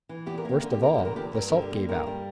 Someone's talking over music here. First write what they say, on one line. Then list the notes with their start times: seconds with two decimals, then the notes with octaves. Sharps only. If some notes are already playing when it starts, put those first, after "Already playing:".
Worst of all, the salt gave out.
0.09 E3
0.26 E2 G4
0.38 A#4
0.45 A#3 G4
0.61 D3 A#4
0.71 G4
0.81 D3 A#4
0.94 E2 G4
1.05 A#4
1.16 E2 G4
1.34 G2 A#4
1.50 D3 A#4
1.62 G4
1.71 A#3
1.89 G2 A#4
2.07 G3